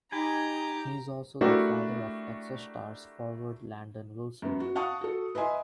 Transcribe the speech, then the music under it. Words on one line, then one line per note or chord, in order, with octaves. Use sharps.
He is also the father of Texas Stars forward Landon Wilson.
D#4 G4 G#5 A#5 B5 D6
A3 D4 E4 F#4 G4 A#4
F#2 B3
F#4
F5 F#5 A5 C#6 D#6
F#4 A4
B4 D#5 E5 G#5 C6